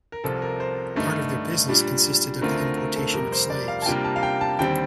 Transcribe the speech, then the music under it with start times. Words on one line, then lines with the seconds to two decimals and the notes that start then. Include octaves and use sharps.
Part of their business consisted of the importation of slaves.
0.12 A#4
0.24 C2 C3 F3 C4 F4 A4
0.42 A#4
0.60 C5
0.96 G2 D3 A3 D#4
1.68 A#2 G3 D4
2.41 D2 D3 A3 C4 F4 A#4
2.59 A#4
2.77 A#4
2.96 A4
3.14 F2 C3 G3 A#4
3.32 C5
3.50 D5
3.68 F5
3.82 A5
3.86 C3 G3 A#3 D4 F4 G5
4.04 A5
4.16 F5
4.23 G5
4.41 A5
4.59 D#2 D3 G3 C4 G5